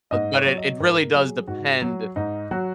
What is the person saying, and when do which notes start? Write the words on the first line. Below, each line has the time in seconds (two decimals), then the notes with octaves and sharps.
um, but it it really does depend
0.11 G#2 D#5
0.34 C#5
0.46 F#3
0.58 D#5
0.80 G#2 A#4
1.14 F#3 G#4
1.47 G#2 F#4
1.82 F#3
2.16 G#2 D#4
2.51 F#3 F#4